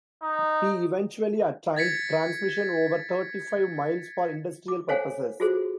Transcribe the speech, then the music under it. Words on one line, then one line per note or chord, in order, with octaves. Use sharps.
He eventually attained transmission over thirty-five miles for industrial purposes.
D#4
G#6 A6 B6 C#7
D6
A4 C5 C#5 F5 F#5 G#5
F4 F#4 G#4 A4 C5